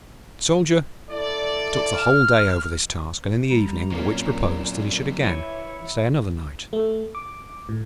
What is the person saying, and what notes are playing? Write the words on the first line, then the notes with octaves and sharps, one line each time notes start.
The Soldier took the whole day over this task, and in the evening the Witch proposed that he should again stay another night.
E4 A4 D5
F6
G3 A#5
A#2 F#3 A#3 C4 C#4
E3 E4 C#5
A3
D6
A2